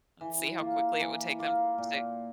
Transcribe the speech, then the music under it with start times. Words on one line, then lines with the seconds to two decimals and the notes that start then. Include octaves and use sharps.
and see how quickly it would take them to say
0.21 E3
0.60 A#3 F4
1.00 E3
1.39 A#3 F4
1.78 A#2